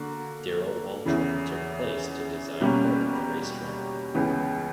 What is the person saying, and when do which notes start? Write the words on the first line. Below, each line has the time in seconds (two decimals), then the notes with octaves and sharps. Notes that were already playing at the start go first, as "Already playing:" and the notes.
Darrell Waltrip took place to design part of the racetrack.
Already playing: D3 A#3 F#4
1.05 E2 C#3 E3
2.60 B2 G3 A#3 C#4
4.14 C#2 C#3 E3 B3